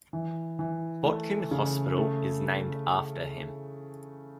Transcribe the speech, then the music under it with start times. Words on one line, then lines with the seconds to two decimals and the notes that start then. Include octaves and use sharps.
Botkin Hospital is named after him.
0.13 E3
0.59 E3
1.05 A3
1.51 C#3
1.98 A3